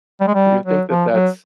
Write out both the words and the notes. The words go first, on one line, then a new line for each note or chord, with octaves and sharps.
Do you think that that's
G3
G#3
G3
F#3
F3
F#3